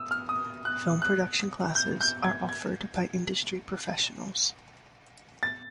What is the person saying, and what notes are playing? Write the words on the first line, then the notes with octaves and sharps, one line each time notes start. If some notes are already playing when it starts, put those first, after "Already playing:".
Film production classes are offered by industry professionals.
Already playing: D#6 E6
F6
D#6
F#6
F#6
G6
G6
G#6
G#6
A6